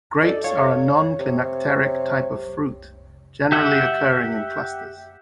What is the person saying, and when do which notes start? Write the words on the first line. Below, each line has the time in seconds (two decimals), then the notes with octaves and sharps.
Grapes are a non-climacteric type of fruit, generally occurring in clusters.
0.22 D#4 A4 D5
0.44 A4 C#5 F5
1.19 C3
3.52 G4 E5 F#5 G5